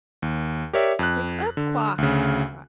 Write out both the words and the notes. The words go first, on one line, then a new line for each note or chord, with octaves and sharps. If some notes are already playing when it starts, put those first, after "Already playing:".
"Wake up, Quox!" she cried.
D#2
G4 A#4 C#5 D5 E5
F2 F#6
D3
D2 C#3